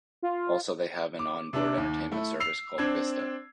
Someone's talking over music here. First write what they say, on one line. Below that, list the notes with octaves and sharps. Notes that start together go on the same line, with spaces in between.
Also they have an on board entertainment service called Vista.
F4
D6
C3 D4
D#2
A3 E4
E6 C7 F7
C4 D4 G#6